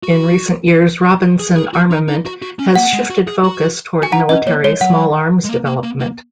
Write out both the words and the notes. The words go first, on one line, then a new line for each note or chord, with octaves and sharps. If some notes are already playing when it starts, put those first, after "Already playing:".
In recent years Robinson Armament has shifted focus toward military small arms development.
F#4
G#4
G#4
F#4
D#4
D#4
F#4
F#4
C#4
A#3 F#5
G#3
F#4
G#4
F#4
F#4 G#5
D#4 F#5 A#5
C#4 D#5
A#3 C#5
G#3 C#5
F#3 F#5
G#3
A#3
A#3
A#3
A#3